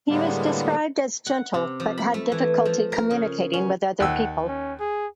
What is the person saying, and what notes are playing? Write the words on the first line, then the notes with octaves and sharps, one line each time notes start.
He was described as gentle but had difficulty communicating with other people.
A2 D3 G3 G#3 A#3 B3
F#5
C3
F3
B5
A3
E3
F3
A#4
C#3
C#4
D#2 F#5 E6
C#4
G#4